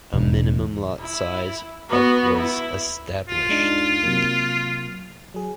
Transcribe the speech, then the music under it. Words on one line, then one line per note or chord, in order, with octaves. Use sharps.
A minimum lot size of was established.
E1
E4
B3 F#4
E4
F4
G#3 D4 D#4
C3 F#3 A#3
F#3 G#4